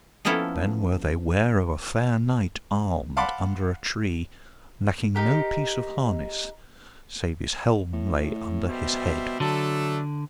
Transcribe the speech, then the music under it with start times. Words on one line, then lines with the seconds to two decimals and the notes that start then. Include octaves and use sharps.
And then were they ware of a fair knight armed, under a tree, lacking no piece of harness, save his helm lay under his head.
0.25 F3 A#3 B3 C#4 E4 A4
3.17 F5 F#5 A5 B5 C6 D6
5.15 D#4 G4 A#4
7.93 A2
8.68 B2 G3 C5 E5
9.40 D3 F#3 A3 D4 A4